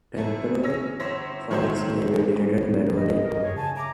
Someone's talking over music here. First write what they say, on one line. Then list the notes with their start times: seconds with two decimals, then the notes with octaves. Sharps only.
Temporary files may be deleted manually.
0.18 F#2 A3
0.63 C#4 C#5 E6 A#6
1.00 G1 E4 C5 C#5 A#6 B6
1.51 D#3 F#3 A3 C5 C#5 G6
2.95 G2 D#5
3.25 A#4
3.42 F#2 G#4 C#5
3.56 C#3 G#5 A5
3.75 E5 A#5 D6